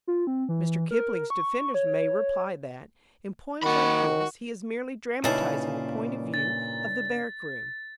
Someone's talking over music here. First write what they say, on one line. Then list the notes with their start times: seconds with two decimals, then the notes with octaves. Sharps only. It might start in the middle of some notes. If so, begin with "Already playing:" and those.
Mr. Kipling's defenders may reply that, in poems like this, he is merely dramatizing the point of view of the barrack-room.
0.07 F4
0.27 C4
0.49 E3
0.91 A#4
1.30 C#6
1.74 C#5
1.87 C#5
3.64 D#3 A#3 F#4 B5
5.24 G2 A#2 C#3 A#3 D#4 E4 A5
6.34 A6